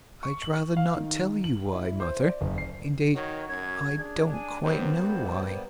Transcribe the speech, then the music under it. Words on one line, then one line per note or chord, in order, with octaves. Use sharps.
"I'd rather not tell you why, mother; indeed, I don't quite know why."
C#6
F#7
F5
D#3
F#7
E4
C5
D5
F#1
C7
D#3 F#4 C#5
F#2 G#6
D4 G#4
G#5
F#2 G3 A#3 B3 C5
G2